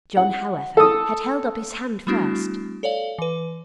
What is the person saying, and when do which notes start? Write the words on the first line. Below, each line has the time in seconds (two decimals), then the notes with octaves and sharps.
John, however, had held up his hand first.
0.17 F#5
0.77 A4 D#6
2.07 G3 A3 B3 D4 E4 F#4
2.83 A4 C#5 D5 F5 F#7
3.18 E3 B4